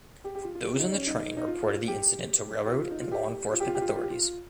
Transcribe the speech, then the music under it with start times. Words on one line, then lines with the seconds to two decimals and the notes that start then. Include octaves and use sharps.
Those on the train reported the incident to railroad and law enforcement authorities.
0.24 G4
0.35 G4
0.44 F4
0.55 F4
0.65 G4
0.72 F4
0.79 D#4
0.92 C#4
1.07 D#4
1.37 D#4
1.47 F4
1.88 G4
2.66 G4
2.70 F4
2.81 F4
2.90 D#4
3.01 F4
3.12 G4
3.53 F4
3.60 G4
3.67 F4
3.75 G4
3.81 F4
3.88 G4
3.96 F4
4.03 G4
4.10 F4